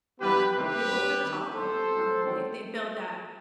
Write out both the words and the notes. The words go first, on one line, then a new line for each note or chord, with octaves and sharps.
um, people could call, um, if they feel that
G2 E3 B3 G4 B4
E2 C3 D#3 A3 C4 G4 B4
G2 F#3 C4
C3 D#3 G3
E2 B2 G3 B3 A4 C5
A2 F#3 C4
E2 D#3 F#3 C4